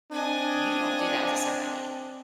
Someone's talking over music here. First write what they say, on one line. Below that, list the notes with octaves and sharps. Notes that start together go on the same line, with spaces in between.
you don't do that to somebody.
C4 D4 D#5 G#5